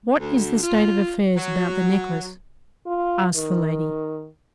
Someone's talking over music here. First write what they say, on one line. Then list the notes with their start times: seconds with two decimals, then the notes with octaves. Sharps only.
"What is the state of affairs about the necklace," asked the lady.
0.19 D2
0.62 F4
1.37 F#3
2.86 F4
3.35 D#3